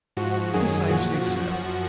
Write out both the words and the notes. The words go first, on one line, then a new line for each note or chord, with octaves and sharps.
"Precisely so."
G#2 F3 F#4
F#2 D#3 F#3 G#4
A#2 F3 F#4
F#2 F3